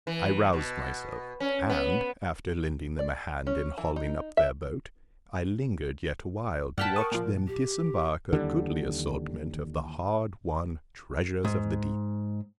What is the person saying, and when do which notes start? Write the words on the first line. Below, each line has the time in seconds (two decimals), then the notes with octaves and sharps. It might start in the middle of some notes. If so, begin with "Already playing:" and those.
I roused myself, and, after lending them a hand in hauling up their boat, I lingered yet awhile to watch them disembark a goodly assortment of the hard-won 'treasures of the deep.'
0.07 E3
0.53 B2
1.40 C#4
1.70 B3
2.99 D5
3.47 C#4
3.78 E3
3.96 D#4
4.37 E5
6.78 G2 F#5 G5 A5 F6 B6
6.96 A#4 C#6 D#6
7.12 A#2 F3
7.47 G4
8.33 D#2 D3 E3 G3
11.45 G#2